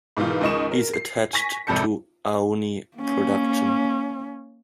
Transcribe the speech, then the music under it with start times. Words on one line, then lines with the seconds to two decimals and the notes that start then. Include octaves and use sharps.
He is attached to Aoni Production.
0.17 G#2 B2 D#3 E3 F4
0.41 C#2 D#3 D#5 C#6 E7
0.72 A#4
0.94 C7
1.33 G#5 C#6 A#6 B6
1.67 G#1 F2 C3 A5 G6 C#7
2.97 A#3 C#4